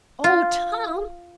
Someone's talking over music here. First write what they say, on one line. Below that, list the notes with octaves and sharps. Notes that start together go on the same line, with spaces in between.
"Oh, Tom!"
F4